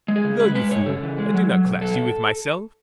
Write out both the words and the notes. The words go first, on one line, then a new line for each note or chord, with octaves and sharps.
No, you fool, I do not class you with myself!
G#3
G#4
C#3
G#3 B4
G#3 B4
B2 C#5
C#3 A4
E3
G#3
F#3
F#3
B2
F#3 A4